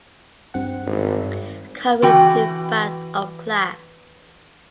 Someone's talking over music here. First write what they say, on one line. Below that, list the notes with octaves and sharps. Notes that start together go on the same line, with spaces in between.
Car moved to back of class.
G2 C4 F#5
G#1
E3 F#4 G5